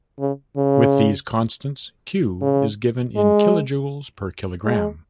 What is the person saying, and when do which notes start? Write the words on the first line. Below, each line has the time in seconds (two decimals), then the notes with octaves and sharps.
With these constants, "Q" is given in kilojoules per kilogram.
0.19 C#3
0.57 C#3
2.42 C#3
3.16 G#3
4.64 G#3